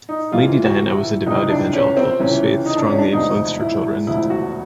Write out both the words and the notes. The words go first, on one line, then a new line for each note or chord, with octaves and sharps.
Lady Diana was a devout evangelical whose faith strongly influenced her children.
D#4
C#2 C3 E3 G3 F4
F#4
E4
C#2 C3 E3 G3 D#4
D4
C#4
C4
C#2 C3 E3 G3 C#4
D#4
D4
C#4
D4
E1 D2 C3 F3 G#3 D#4
E4
E1 D2 C3 F3 G#3 E4
F#4